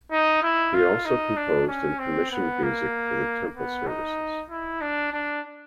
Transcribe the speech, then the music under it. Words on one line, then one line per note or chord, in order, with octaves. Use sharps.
He also composed and commissioned music for the Temple services.
D#4
E4
F4
D#4
D4
C#4
C4
B3
A#3
B3
D#4
E4
D4
D4